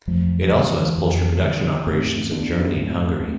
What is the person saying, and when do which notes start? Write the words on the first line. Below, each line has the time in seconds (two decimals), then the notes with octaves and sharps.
It also has poultry production operations in Germany and Hungary.
0.08 F2 F3 A3
0.42 F3
0.52 D3 E3 G#3
0.97 F2
1.42 D3
1.87 G#2 A3 C4
2.31 B3 D4
2.76 G#2 A3 C4
3.21 A3 C4